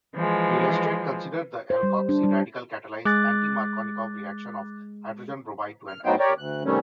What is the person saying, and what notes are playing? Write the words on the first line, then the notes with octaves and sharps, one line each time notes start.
To illustrate, consider the alkoxy radical-catalyzed, anti-Markovnikov reaction of hydrogen bromide to an alkene.
E3 F3 G#3
C5
G3
D4
G3
G#3 D6 F#6 A6
F6
A2 F#3 B3 D#4 C5 G5
G4 A#4 C#5 D5
D2 F#6
C3 D#3 G3 A3 C#4